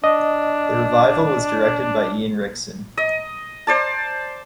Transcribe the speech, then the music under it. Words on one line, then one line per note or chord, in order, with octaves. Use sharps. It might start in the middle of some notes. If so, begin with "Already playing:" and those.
The revival was directed by Ian Rickson.
D4 D#5
D#5
C5 D5 A5